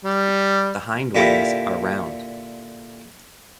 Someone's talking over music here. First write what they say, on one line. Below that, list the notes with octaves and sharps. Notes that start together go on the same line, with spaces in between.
The hindwings are round.
G3
A#2 D3 A#3 E4 G4